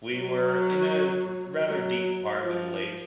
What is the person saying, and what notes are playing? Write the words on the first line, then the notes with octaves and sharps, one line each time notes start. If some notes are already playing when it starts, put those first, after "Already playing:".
we were in a r rather deep part of the lake,
F#3
F#3
F3